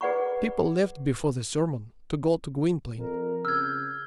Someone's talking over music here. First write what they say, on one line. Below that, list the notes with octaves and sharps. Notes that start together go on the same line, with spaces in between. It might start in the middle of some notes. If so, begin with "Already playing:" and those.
People left before the sermon to go to Gwynplaine.
G#4 B4 D5 F#5 B5 C#6
F2 A#4
C#3 E6 F6 G6 G#6